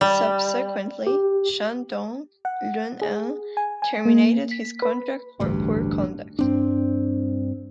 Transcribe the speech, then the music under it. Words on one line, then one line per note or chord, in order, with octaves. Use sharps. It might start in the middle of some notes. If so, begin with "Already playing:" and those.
Subsequently, Shandong Luneng terminated his contract for poor conduct.
G3
G4
F#5
G#4
G#5
G#5
A#3
B6
B4
A1 D2 G2
G2 C4 D4